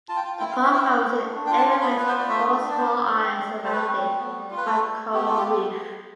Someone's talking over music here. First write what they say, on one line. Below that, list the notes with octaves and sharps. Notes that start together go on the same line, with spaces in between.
The park covers an area with four small islands surrounded by coral reef.
F4 A5
G5
F4
E4 G5
F5
E4
E5
C4 G5
E4
A3
A3
D4
G5
F4
A5
F4 C6
B3 B5
B3 B4
C5
F4 D5
A3 E5
D4
D4
D5
B3 C5
B3
D4
C4
G3
G3
C5
A3 B4
C4
A3
B3
G3
F4
B4
A3 A4
A3
A3
B3 G4
F4 A4
G4
B3